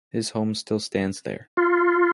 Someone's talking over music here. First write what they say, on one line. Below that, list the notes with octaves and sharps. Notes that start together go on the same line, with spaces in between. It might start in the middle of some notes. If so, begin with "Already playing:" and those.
His home still stands there.
F4